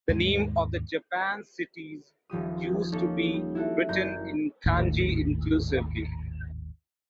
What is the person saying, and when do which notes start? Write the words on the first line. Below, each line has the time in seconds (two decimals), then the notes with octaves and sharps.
The names of Japan's cities used to be written in Kanji exclusively.
0.09 D#2 G#2 G#3
2.30 D#1 F3 G4 D#6
2.92 A#3 C#4 D#4 F4 A4
3.34 G3
3.55 E4 F#4 A4
3.89 F#1 A#4 A#5 G6
4.66 G#1 D#2 A2